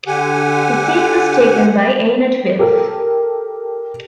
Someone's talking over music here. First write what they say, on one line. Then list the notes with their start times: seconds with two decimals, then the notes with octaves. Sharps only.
His seat was taken by Einat Wilf.
0.07 D3 G4 F#5 G#5
2.59 G4 A4 A#4